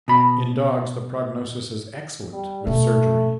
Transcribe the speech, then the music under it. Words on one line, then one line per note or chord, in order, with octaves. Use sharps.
In dogs, the prognosis is excellent with surgery.
B2 B5
G3
B2 A3 C#4